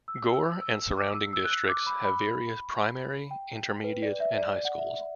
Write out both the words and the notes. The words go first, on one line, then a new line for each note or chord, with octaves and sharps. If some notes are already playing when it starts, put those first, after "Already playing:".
Gore and surrounding districts have various primary, intermediate and high schools.
E6
E6
E6
D6
E6
E6
F#6
E6
D6
B5
B5
G5
B4
D5
E5
D5
D5
F#5
E5
F#5